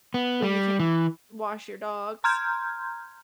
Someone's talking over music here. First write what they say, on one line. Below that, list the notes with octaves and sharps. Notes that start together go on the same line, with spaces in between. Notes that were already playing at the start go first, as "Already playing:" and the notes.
where you can wash your dogs
B3
G3
E3
A#5 C6 F6 G6 G#6